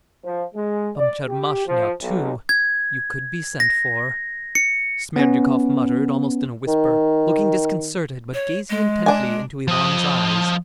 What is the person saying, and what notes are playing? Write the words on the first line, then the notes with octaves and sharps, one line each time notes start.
"From Tchermashnya, too ... you could be sent for," Smerdyakov muttered, almost in a whisper, looking disconcerted, but gazing intently into Ivan's eyes.
F3
G#3
D5
G4
F3
B1
G#6
A#6
C#7
B3 C#4
D#3
C#5
G#3
D4 G#5
F3 D#5